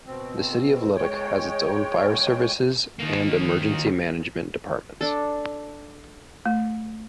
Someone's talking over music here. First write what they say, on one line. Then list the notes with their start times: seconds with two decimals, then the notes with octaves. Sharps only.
The City of Leduc has its own fire services and emergency management departments.
0.07 B2 C4
0.96 G#3 C#5 G5
3.00 D#3 A#3
5.01 D4 A4
6.46 A3